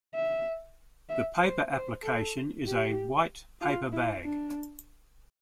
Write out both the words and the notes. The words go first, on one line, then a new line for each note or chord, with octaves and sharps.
The paper application is a white paper bag.
E5
E5
C5
C5
A4
G4
F4
E4
D4